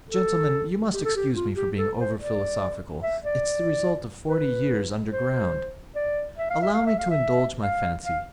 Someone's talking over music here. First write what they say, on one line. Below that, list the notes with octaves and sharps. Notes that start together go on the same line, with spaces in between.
Gentlemen, you must excuse me for being over-philosophical; it's the result of forty years underground! Allow me to indulge my fancy.
A4
G4
A4
G4
F4
G4
A4
C5
D5
E5
D5
B4
C5
D5
E5
F5
E5
F5
E5
F5
E5
F5
F5